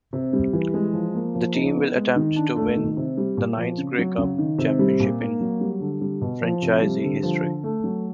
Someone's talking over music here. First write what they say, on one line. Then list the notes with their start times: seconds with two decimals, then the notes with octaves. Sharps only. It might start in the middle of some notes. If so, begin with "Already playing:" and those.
The team will attempt to win the ninth Grey Cup championship in franchise history.
0.13 C3
0.33 G3
0.53 E3
0.74 G#3
0.93 F3
1.14 A#3
1.34 F3
1.55 D#4
1.75 B3
1.95 G#3
2.16 D#3
2.36 D4
2.56 A3
2.76 D#3
2.97 C3
3.17 G3
3.37 A#2
3.58 F3
3.78 C#3
3.98 F#3
4.18 C#3
4.38 D#3
4.58 C3
4.79 G3
5.00 A#2
5.20 A#3
5.41 F#3
5.61 G3
5.80 D3
6.01 G3
6.21 B2
6.42 F3
6.62 C3
6.82 G3
7.02 D3
7.23 F3
7.43 D3
7.64 A3
7.84 F#3